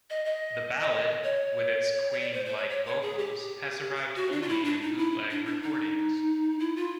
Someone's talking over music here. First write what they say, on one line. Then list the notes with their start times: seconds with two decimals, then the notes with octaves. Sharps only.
The ballad, with its Queen-like vocals, has survived only in bootleg recordings.
0.10 D#5
0.25 D#5
1.23 C#5
2.13 C#5
2.21 D5
2.34 C5
2.46 C5
2.57 C#5
2.70 C#5
2.86 C#5
3.02 G#4
3.18 G4
4.16 F#4
4.32 D4
4.42 F4
4.49 E4
4.64 D4
4.82 D#4
4.98 E4
5.30 D4
5.46 D4
5.62 D#4
6.60 E4
6.76 F4